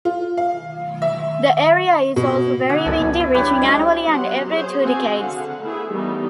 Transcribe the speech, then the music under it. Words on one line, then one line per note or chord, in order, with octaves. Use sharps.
The area is also very windy, reaching annually and every two decades.
F4
F5
E5
B2
D3 F#5 G#5
C#2 F#2 F#4 A4 B4 D5
B2 B3
E4
F#3 D4 G4 B4 C#5
G#3 C#4 D4 F#4 C5
F#3 B3 C4 G4 F#5 C6
G#4 C5 C#5
C4 F#4 G#4 C5 G#5
D3 F5 F#5
A3 B3 E4 G#4 E5
D#3 E3 G3 A3 B3 D#4